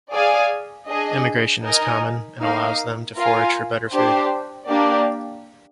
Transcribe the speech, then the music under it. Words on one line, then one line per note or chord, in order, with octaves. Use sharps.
Immigration is common and allows them to forage for better food.
G#4 D5 F5 G#5
D4 G#4 D#5
D#4 A#4 D#5 G#5
A#3 D#4 A#4 F5
F4 A#4 F5 G#5
D4 G4 C5
A#3 D4 G4 D5